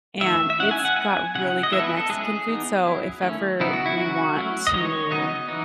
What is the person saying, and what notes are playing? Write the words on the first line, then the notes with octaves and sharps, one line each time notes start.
and it's got really good Mexican food, so if ever we want to
D#3 A3 E4 E5
E5
G#3 C#4 E4 F#5
G#5
F#5
G#3 B3 E4 G#5
C#3 F#3 C#4 E4 F#5
D#5
E3 G#3 B3 E4 E5
A4
B4
A4
G#3 C#4 E4 G#4
E3 B3 D#4
F#3 C#4 E4
D#3 A3 C#4 E4
C#3 F#3 B3 D#4 E4
F#4
E4
C#3 F#3 C#4 E4 F#4
F#3 A3 C#4 E4
D#5
D#3 G#3 D#4 C#5
C#3 F#3 B3 D#4 D#5
E3 B3 D#4